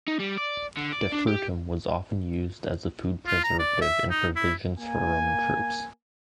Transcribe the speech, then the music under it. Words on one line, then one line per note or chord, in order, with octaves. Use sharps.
Defrutum was often used as a food preservative in provisions for Roman troops.
D#4
G3
D5
D3
D5
D4
G4
F4
A#5
D5
E5
D#4
E4
A#3 G#5